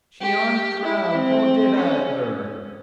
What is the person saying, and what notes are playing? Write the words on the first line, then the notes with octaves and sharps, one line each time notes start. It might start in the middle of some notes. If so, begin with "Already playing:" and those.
She arn't drowned; nor dead eyther!
G4
E4
C4
C#4